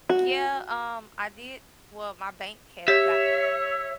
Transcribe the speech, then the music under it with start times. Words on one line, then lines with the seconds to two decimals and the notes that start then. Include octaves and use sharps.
Yeah, um, I did Well, my bank had got the,
0.09 F#4
2.88 G4 C#5 E5